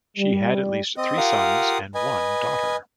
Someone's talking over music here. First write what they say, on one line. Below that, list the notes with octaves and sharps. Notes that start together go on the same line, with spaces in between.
She had at least three sons and one daughter.
G3
C4 D#5
F4 G4 A#4 F5 F#5 D#6
B4 D#5 G#5